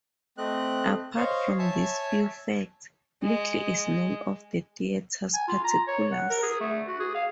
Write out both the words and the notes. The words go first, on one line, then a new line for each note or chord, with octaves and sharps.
Apart from these few facts, little is known of the theatre's particulars.
A3 C4 D#5 F#6
C5 C#5 D#5 F5 C#6
C#5 E5 G#5 A5
G#3
G#5
F4
A#5
C#5
F#5
A#4
G#4
A3
F#4
G#4
F5